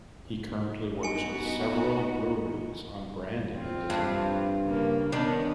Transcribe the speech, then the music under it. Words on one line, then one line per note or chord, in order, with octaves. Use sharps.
He currently works with several breweries on branding and design.
B3 D#4 F#4 G#5 C#7
C4 F4
G2
C#3 A#3
D#3 B3 C#4 D4